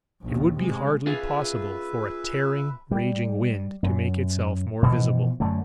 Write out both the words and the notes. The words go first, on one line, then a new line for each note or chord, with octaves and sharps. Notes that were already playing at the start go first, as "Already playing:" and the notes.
It would be hardly possible for a tearing, raging wind to make itself more visible.
A#1 D#2
C3 G#3
F4 G#4 B4 E5
G3
F#2
B2 E3 F3
F#2 D3 A3